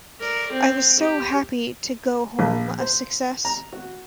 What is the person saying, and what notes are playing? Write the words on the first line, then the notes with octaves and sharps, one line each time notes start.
I was so happy to go home a success.
A#4 D5
C4
G4
A#1
C5
A#5
F#4